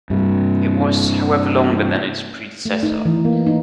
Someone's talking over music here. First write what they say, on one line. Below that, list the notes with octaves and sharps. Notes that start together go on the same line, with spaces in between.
It was, however longer than its predecessor.
G2 C3
A3
D#4
E3
A#3
D#4